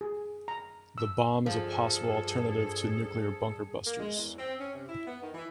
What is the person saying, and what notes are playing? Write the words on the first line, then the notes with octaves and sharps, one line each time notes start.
The bomb is a possible alternative to nuclear bunker busters.
G#4
A#5
E6
G2 F3 G#4 A4
A#3
G#3
E2
C4
C#4
C3
E4
B3
D#3
E3